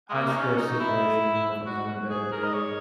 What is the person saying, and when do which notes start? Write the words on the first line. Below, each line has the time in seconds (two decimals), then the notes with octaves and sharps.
high-stress situation, or if I'm having a bad day,
0.10 G#3
0.14 A#3
0.29 D#4
0.35 C#4
0.57 D#4
0.80 E4
1.66 F#4
2.10 G#4
2.32 A#4
2.44 D#5
2.54 C#5